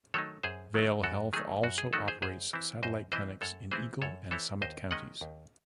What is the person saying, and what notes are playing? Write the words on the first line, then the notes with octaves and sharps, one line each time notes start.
Vail Health also operates satellite clinics in Eagle and Summit counties.
D#3 F#3 A3 D#4 A4 C#5
F#2 G#4 C5
D#3 F#3 A3 D#4
F#2 F#4 A4
D#3 F#3 A3 D#4 G#4
F#2 F#4
G#4
D#3 F#3 A3 D#4 F#4 A4
G#4 C5
F#2 G#4 C5
E3 C4 E4
F#2 C5 D#5
E3 C4 E4 C5 D#5
F#2 A4 C#5
E3 C4 E4 G#4 C5
F#2 A4 C#5
E3 C4 E4 A4 C#5
D#2 C5 D#5
D#3 G#3 C#4 D#5 F#5
D#2